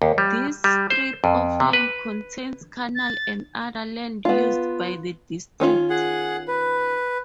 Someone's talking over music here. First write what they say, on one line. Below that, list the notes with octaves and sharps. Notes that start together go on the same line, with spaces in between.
This strip of land contains canals and other land used by the District.
D#2
G3
G3
C5
F2
C3
B4
A6
B3 F4
D#3 C#4 F4
G#4 F#5
B4